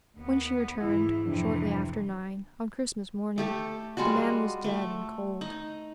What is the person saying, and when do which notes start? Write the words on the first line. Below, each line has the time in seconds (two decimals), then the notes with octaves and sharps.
When she returned, shortly after nine, on Christmas morning, the man was dead and cold.
0.17 D#2 B3
0.80 G#2 E3 E4
1.26 F2 C3 E3 F3 D4
3.38 A3 G4 A4
3.97 G3 G#3 F4 F#4
4.64 A3
5.41 D#4